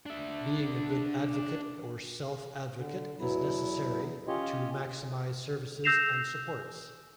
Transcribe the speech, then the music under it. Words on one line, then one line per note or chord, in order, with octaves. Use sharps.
Being a good advocate or self advocate is necessary to maximize services and supports.
D4 E5
D3
E2 B2 F#3 B3 E4
C#4 F4 G4 C#5 D#5
E6 G6 A#6 C7 E7 F7